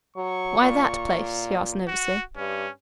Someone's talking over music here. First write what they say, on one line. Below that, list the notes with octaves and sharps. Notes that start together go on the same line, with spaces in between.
"Why that place?" he asked nervously.
F#3 C#6
A#2
F#4
G2 C#4